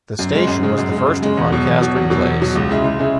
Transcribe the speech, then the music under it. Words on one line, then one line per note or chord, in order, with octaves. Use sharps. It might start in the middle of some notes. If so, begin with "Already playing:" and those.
The station was the first to podcast replays.
F#2
C#3 G#3
F#2
C#3 G#3
F#2
G#3
C#3
F#2
C#3 G#3
E2
B2 F#3
E2
B2 F#3
E2
B2 F#3
E2
B2 F#3
C#2
C#3 G#3 E4
C#2
C#3 G#3 E4